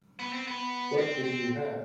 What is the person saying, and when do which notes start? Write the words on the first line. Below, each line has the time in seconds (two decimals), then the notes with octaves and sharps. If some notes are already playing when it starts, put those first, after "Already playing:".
What did you have?
0.19 B3
0.33 C4
0.47 B3
0.98 C4
1.24 C4